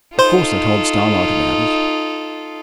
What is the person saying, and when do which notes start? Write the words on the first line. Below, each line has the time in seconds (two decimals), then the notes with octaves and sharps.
Of course I told Starlight about it.
0.19 D#4 F4 A4 C5 C6